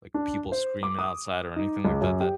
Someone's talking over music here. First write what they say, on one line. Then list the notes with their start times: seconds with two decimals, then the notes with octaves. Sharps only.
like, people screaming outside or anything like that that
0.14 D4
0.52 C5
0.83 D6
0.99 D#6
1.56 D#4
1.85 C#2
2.02 F#2
2.20 G4